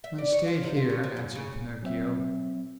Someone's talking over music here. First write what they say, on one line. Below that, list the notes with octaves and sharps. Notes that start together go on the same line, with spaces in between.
"I stay here," answered Pinocchio.
E5
D5
C#5
F3
C3
F4
F#3
F3
F#2
C#3
F#3 C4 E5